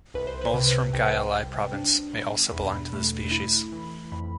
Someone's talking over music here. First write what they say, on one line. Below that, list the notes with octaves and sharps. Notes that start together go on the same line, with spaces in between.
Moles from Gia Lai Province may also belong to this species.
C2 B4
C5
B4
C3
C2 G5
G3
D4
B2
E2 B5
A3
E4 B5
E3
F2 B5